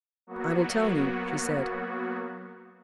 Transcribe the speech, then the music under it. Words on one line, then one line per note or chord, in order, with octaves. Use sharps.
"I will tell you," she said.
F#3 A#3 B3 F#4